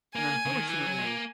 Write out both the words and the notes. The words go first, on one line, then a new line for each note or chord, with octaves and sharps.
and unfortunately,
A#3 G#5
C#3
D#3
E3 G#5
F#3
G#3
A#3